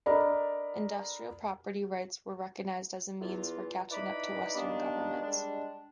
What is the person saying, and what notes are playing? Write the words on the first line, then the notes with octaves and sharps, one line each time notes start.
Industrial property rights were recognized as a means for catching up to Western governments.
D4 A4 A#4 D5 D#5 B5
E2 F4
D#4 E4 B4 D5 B5 D6
D#3 G3 A#3 B3 D4
G3 G#3 D4